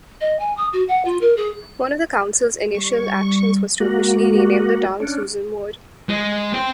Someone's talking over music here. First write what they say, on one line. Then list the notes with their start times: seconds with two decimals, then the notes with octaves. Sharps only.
One of the council's initial actions was to officially rename the town Susan Moore.
0.20 D#5
0.39 G#5
0.57 D#6
0.72 F#4
0.88 F#5
1.04 F4
1.21 A#4
1.36 G#4
2.75 G3 C#6
3.80 G#3 A#3 F#4
5.00 C#4 D4
6.09 G#3
6.53 C4